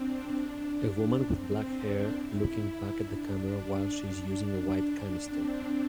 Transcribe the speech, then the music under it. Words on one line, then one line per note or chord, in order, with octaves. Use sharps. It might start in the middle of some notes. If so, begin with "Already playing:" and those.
A woman with black hair looking back at the camera while she is using a white canister.
Already playing: C4 D4
C4
D4
E4
D4
D4
D4
C4